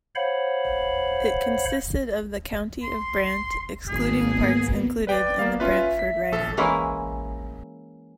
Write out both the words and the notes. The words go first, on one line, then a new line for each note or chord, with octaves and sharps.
It consisted of the County of Brant, excluding parts included in the Brantford riding.
C5 C#5 F5 F#5 B5
C6
G#1 A#3 B3 G#4
B4 D5 G5
A#3 B3 F5
C#4 F4 B4 E5
B6
A#1 A4
E3 G#3 A#3 C#4 E4